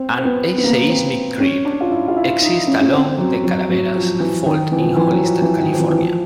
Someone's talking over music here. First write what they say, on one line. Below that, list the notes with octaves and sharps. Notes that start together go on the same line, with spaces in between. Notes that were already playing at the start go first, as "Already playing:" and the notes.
An aseismic creep exists along the Calaveras fault in Hollister, California.
Already playing: C4
C4
B3
B3
A#3
C4
C#4
D4
F4
E4
F4
E4
D#4
C#4
C#4
C4
F#3
F#3
F#3
F3
E3
D#3
E3
F3
E3
E3
F#3
F3
E3
D#3
F3
E3
E3
F3